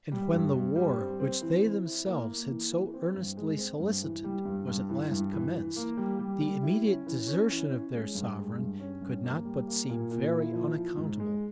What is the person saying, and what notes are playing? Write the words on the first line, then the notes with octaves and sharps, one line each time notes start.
And when the war which they themselves had so earnestly solicited, was at last commenced, the immediate desertion of their sovereign could not but seem very unaccountable.
G3
G2
G2
G3
C4
C4
E3
E3
E4
A#3
A#3
E3
E3
C4
G2
G#3
C4
G2
E3
G3
G2
G2
E3
G2
E3
E3
A#3
G3
G3
G3
E4
C#4
E3
C#4
E3
C#4
G#3
G2
G#3
G2
C#4
G2
A#3
G3
A#3
A#2
A#2
E4
F3
F3
G#2
G#3